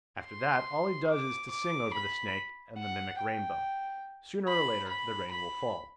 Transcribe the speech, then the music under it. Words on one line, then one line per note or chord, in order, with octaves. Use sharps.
After that all he does is to sing over the snake and the mimic rainbow; sooner or later the rain will fall.
C6
D6
D6
B5
F#5
G5
B5
B5
B5